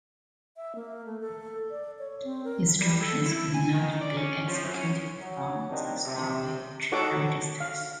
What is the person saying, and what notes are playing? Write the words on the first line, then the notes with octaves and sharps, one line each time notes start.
Instructions could not be executed from the storage registers.
E5
A#3
A3
A4
D5
C#5
C4
A#4
G3
A4
E4
G#5
D#3
D5
C#4
F3
F#2
C#4
F#3
A#2 D#3 C4 D4 D#4 G4
C3
D#4 F#4 A4 C#5 F#5 D6
F5